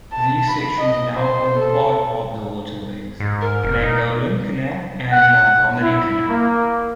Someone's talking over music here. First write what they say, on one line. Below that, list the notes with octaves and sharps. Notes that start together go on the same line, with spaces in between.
These sections now form part of the waterways: Llangollen Canal and Montgomery Canal.
A5
B5
D#5
C5
A4
G#2
A#4
F1
D#4
F#5
E4
A#3